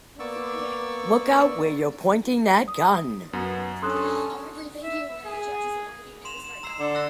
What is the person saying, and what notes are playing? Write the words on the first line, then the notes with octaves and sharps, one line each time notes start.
Look out where you're pointing that gun!
A#3 B3 D5 C#6 D6 E6
D#6
F#2 B3
C#4 D4 G4 A4 C6 D#6 F#6
E5
G#4
C6 E7 F7
E7
A#5 E6 C7
D3
E6 F#6 A#6